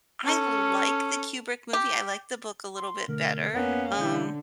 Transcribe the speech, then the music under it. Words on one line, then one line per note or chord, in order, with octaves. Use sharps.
I like the Kubrick movie, I like the book a little bit better, um
C#4 A4
G4
C6
B2 D3 A3 A#4
F2 A#3 B3 C#4 A#4 F5
B2 D3 E3 G6